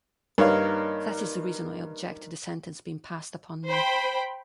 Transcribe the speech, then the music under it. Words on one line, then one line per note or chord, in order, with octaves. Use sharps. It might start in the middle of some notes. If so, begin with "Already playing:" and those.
That is the reason I object to the sentence being passed upon me.
G2 D#4 A#4 C#5 F5
C5 G5 B5